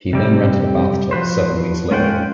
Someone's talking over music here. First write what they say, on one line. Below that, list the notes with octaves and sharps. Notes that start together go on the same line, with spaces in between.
He then rented a bathtub seven weeks later.
C3 G3 C4
F3 F#4 B4 C5
G#3 C#4 F4 C5 F#5 G5